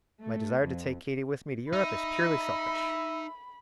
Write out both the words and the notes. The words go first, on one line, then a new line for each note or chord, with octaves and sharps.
My desire to take Katy with me to Europe is purely selfish.
A3
F2
D#4 E5 B5